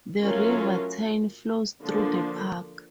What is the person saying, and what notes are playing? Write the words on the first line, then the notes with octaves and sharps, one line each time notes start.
The River Tyne flows through the park.
F#3 A3 C#4 F4 A#4
D3 F3 A#3 D4